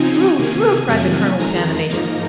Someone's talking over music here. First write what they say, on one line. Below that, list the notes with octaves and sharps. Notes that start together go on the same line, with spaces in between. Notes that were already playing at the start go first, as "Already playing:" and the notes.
"True--true," cried the colonel, with animation.
Already playing: C#3 F3 C4 D#4 G#5
C3 D#3 A#3
F2 C3 D#3 F#3 A#3
F2 D#3 G#3 A#5
G#2 F3 A#3 D#4 A#5